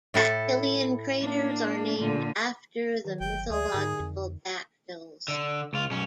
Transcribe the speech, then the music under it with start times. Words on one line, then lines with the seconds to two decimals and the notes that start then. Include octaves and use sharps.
Dactylian craters are named after the mythological Dactyls.
0.14 A2 E4 A4
1.21 A#3 D4
1.99 A#2 D3
3.05 D#3 F#3
3.20 G1 G5
3.50 D2 G#4 D5 E5
3.74 G#2 D3 D#4
4.00 F2
5.28 D3
5.73 C#2 F4
5.91 B1 C#4